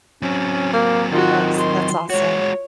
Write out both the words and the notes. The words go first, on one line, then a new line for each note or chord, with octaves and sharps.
That's that's awesome,
F#3 C4 C#4
A#3
D#3 F4 F#4
C6
G#3 F#4 C#5